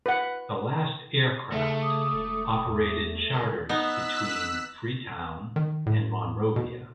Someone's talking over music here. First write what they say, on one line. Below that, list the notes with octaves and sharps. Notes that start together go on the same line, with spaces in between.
The last aircraft operated charters between Freetown and Monrovia.
B4 F#5
C#3 A3 D#4 E5
D6 D#6
E1
E2
C#2 A#4
B3 D#4 E6 F#6 B6
D#3
A2
B2